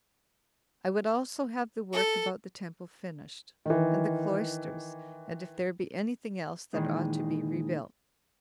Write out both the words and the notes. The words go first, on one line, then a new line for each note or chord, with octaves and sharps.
I would also have the work about the temple finished, and the cloisters, and if there be any thing else that ought to be rebuilt.
A4
D#3 E3
A#2 D#3 E3 G#3 D#4